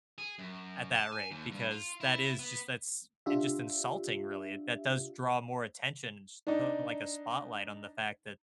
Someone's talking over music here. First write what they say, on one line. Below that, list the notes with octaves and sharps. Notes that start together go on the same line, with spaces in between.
at that rate, because that is just that's it's just insulting, really. That does draw more attention, just like a spotlight on the fact that
G#4
F#2
A5
G#5
D#2
G2
F4
E4
B3
D4 F4 G4 E5
D4 D#4